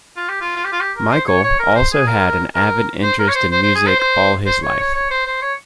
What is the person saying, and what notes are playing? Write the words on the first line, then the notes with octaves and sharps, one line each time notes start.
Mykle also had an avid interest in music all his life.
F4
G4
F4
F4
G4
F4
G4
A#4
C5
C#5
C#5
A#4
C5
G#4
A#4
A#4
C5
A#4
C#5
C5
C5
C5
G#4
C5
C5
C5
C#5
C#5
C#5
C5
C5
C#5